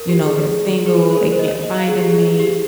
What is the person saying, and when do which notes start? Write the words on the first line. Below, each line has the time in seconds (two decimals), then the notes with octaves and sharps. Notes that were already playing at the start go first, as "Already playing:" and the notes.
you know, they're single, they can't find a mate.
Already playing: A#4
0.09 G4
0.24 G#4
0.86 G#4
1.11 C5
1.17 A#4
1.32 C5
1.39 D#5
1.48 C#5
1.63 D#5
1.78 F5
1.88 G#4
1.99 G4
2.09 G#4
2.40 G4